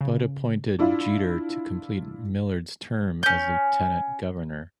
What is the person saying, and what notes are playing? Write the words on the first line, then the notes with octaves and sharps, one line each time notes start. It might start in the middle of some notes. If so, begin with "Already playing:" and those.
Budd appointed Jeter to complete Millard's term as Lieutenant Governor.
C#3
D4 E4 F4
C#4 G6